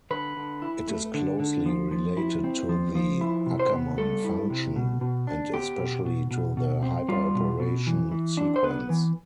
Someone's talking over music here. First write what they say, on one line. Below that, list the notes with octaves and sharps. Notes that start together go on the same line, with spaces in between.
It is closely related to the Ackermann function and especially to the hyperoperation sequence.
D3 B4
D3
E4
A3
D3
D3
F3
F3
E4
C4
F3
F3
E4
C3
C5
B3
G3 A4
E4
C3
B2
B2
D4
B3 G4
B2
B2
B2
B2
C4
G3 F4
B2
B2
E3
E3
D4
C5
B3 B4
E3